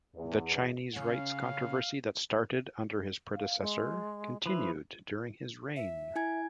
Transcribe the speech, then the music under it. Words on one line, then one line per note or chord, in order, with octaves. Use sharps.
The Chinese Rites controversy that started under his predecessor continued during his reign.
E2
C#3 C#4 F5
F5
G#3
F3 E4 B4
E5
E4 G#5 G#6